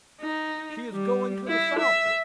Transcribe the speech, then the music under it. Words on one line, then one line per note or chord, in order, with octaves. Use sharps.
"She is going to the southward."
D#4
G3
E4
E5